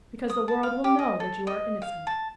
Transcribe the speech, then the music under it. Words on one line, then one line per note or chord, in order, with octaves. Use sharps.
"Because the world will know that you are innocent."
D#6
A5
F5
G4
D#5
A4
D#5
F5
A5